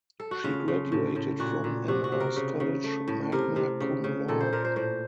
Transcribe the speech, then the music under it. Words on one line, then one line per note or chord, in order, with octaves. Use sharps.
She graduated from Amherst College magna cum laude.
A4
F#4
C#3 F4
C#3
A2
A2
A#2 F#4
A#2
C3 F#4
F#4
C3
A#4
C#3
C#3
A3
A2
C3 A#4
C3
C#3
C#3
A#2 A4
C5
A#2 A#4
C5
A2 C5